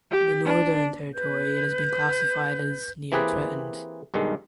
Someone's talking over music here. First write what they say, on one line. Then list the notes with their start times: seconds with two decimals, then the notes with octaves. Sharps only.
In the Northern Territory it has been classified as "Near threatened".
0.11 G4
0.45 D4
1.14 B4 G6
3.12 E3 A#3 C4 G4 G#4 B4
4.14 B1 G2 D#3 G#3